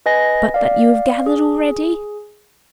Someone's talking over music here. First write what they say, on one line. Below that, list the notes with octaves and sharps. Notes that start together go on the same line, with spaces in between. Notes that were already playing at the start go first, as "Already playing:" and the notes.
But that you have gathered already?
B4 D#5 G#5 A#6
D5 F5
G#4